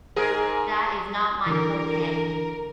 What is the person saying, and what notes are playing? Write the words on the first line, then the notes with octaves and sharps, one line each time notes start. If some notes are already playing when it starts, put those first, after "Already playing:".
That is not my forte.
G#2 G#4 A#4
D3 E3 A#4